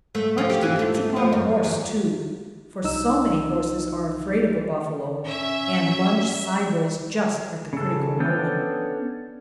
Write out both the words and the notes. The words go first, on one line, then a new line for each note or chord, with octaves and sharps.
Much depends upon the horse, too, for so many horses are afraid of a buffalo, and lunge sideways just at the critical moment.
A3
F3
G4
E3
A3
A3
F3
F#2
E2
C2 D#4 E6
C#4 E5
C#3 A4
B3 C#4 D4 A4 G5